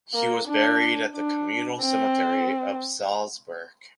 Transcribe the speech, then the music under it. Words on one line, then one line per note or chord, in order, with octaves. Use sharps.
He was buried at the communal cemetery of Salzburg.
A#3
D4
D4
C4